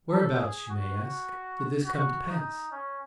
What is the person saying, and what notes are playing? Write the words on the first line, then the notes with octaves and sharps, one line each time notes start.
Whereabouts, you may ask, did this come to pass?
A4
G#4
F#4
F#4
F#4
D#4
C#4